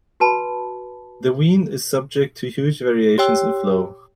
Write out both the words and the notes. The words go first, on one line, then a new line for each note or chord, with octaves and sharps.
The Wien is subject to huge variations in flow.
F#4 B4 A5 B5
G4 C#5 G5 E6